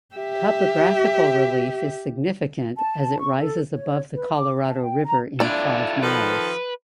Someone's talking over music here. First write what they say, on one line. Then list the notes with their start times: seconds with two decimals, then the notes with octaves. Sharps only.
Topographic relief is significant as it rises above the Colorado River in five miles.
0.15 G4 E5
2.76 A5
3.19 C#6
3.38 A4
3.71 C#5
4.13 B4
4.33 D6
4.70 A5
4.84 G5
5.06 A#5
5.40 D4 E4 F4 A4 D5
6.03 D#3 F3 A4 B4